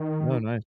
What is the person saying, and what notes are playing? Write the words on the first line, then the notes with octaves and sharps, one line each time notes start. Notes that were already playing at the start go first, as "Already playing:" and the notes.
Oh, nice.
Already playing: D#3